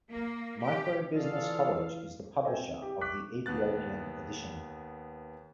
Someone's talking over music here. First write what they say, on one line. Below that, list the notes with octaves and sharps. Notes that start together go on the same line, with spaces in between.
Micro Business College is the publisher of the Ethiopian edition.
A#3
G4
E3 F4 G#4 A4 D5 F5
A4 C5 D#5 E5 G5 G#5
C4
G4
C#6 D6 F#6 B6
D#2 B3 F#6 A6